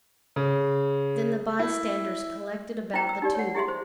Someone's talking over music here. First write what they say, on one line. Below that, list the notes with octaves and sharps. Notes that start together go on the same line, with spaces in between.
Then the bystanders collected about the two.
C#3
E4
E4 C5 E5 G5 A#5
G5 E6
D#4 G4 D5
C#5 F#5
E4 G4 G#4 D#5 E5 C6
C5